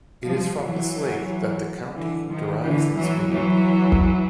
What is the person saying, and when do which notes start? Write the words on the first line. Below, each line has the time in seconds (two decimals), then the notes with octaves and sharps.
It is from this lake that the county derives its name.
0.25 F3 G3
0.59 E3 F#3
1.94 D3 E3
2.28 D#3 F3
2.62 D3 E3
2.96 E3 F#3
3.30 E3 F#3